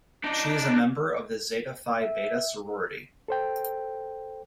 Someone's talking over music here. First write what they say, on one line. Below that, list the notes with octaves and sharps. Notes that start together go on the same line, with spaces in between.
She is a member of Zeta Phi Beta sorority.
D4 D#4
E5
A4 C5 G5